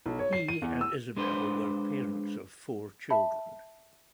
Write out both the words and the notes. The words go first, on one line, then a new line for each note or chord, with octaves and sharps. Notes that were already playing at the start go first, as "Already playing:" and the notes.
He and Isabel were parents of four children.
B1
C#5
C7
D#7
E2
E6
G#3 D4 B4 C5
E5 A5 B5